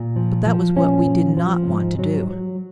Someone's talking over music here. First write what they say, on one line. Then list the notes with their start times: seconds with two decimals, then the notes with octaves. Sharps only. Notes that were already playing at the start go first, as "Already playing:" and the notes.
But that was what we did not want to do.
Already playing: A#2
0.16 F3
0.46 F3
0.76 A#2 C#4
1.06 F3
1.37 F3
1.67 G#2
1.99 F#3
2.29 F#3